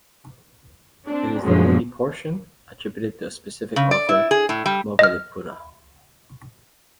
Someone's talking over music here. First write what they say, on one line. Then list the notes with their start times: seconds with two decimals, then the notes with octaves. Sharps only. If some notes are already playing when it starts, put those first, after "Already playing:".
It is the only portion attributed to a specific author, Moggaliputta.
1.07 C4 D4
1.42 F#2 A#2 D3 F3 F#3 G#3
3.76 C#3
3.91 D5
4.09 E4
4.31 G#4
4.49 A2
4.66 G3
4.99 D#5 F6